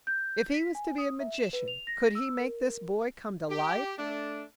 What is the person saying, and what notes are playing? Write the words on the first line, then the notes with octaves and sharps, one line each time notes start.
If he was to be a magician, could he make this boy come to life?
G6
B6
G#5
D#6
E5
E7
B4
F7
A#6
E6
A#4
G4
A3 D4